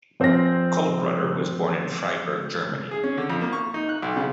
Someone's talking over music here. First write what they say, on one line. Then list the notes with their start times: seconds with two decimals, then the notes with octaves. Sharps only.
Koellreutter was born in Freiburg, Germany.
0.20 F2 C4 C5 G#5 F6 A#6
2.91 G#4
3.04 C#4
3.18 D3
3.30 F2
3.41 A#3
3.53 C#6
3.74 D#4
3.89 F#6
4.02 B1
4.17 C#3